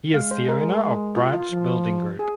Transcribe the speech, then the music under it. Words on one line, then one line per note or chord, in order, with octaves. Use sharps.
He is the owner of Branch Building Group.
G#3 F5
C5
A#4
F4
F4
F3
G#4